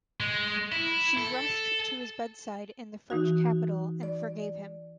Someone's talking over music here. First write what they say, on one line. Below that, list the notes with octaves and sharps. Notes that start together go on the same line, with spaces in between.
She rushed to his bedside in the French capital and forgave him.
G#3
E4
A4
E3 D#4 F#4
D5